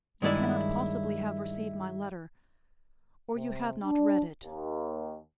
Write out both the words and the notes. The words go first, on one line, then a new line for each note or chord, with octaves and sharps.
"You cannot possibly have received my letter, or you have not read it?"
G2 D#3 G#3 E4 D5 E5
C3
D4
D#2